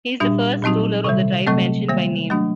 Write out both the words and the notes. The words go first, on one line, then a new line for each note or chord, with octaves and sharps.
He is the first ruler of the tribe mentioned by name.
A#2 G3 D4 F#4
A#2 F#3 C4 D#4 F#4
C3 D#3 G3
C3 F#3 A3 C4
D#3 G3 A#3
F#3 A3 D4 F#4